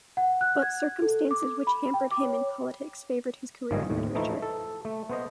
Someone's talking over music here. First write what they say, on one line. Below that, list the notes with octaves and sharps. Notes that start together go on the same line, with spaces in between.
But circumstances which hampered him in politics favoured his career in literature.
F#5
F#6
G#6
A4
D6
B5
G5
D6
C#5
G1 G#2 F3 G3 G#4 D#5
D#2 A2
E3 F3 A3 D#4 E4
A4
A3
B3 C5 D#5